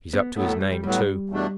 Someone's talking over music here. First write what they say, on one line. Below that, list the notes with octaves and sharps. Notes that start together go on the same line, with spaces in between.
He's up to his name too.
B3
A2 F#3 A3 B3
A3
G3
G3
A2 F#3 G3 B3
E2 B2 A3 D4